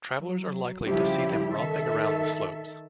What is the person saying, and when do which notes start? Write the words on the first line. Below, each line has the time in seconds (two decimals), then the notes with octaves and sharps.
Travellers are likely to see them romping around the slopes.
0.21 F#3
0.87 C#3 F3 G3 E4 G4
1.53 D#3 A4 E5